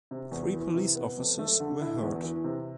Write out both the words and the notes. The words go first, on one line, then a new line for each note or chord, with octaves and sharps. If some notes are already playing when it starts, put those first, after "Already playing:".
Three police officers were hurt.
C3
E2
E3
C3
B3
F2
A3
D3
E4
E2
E3
C3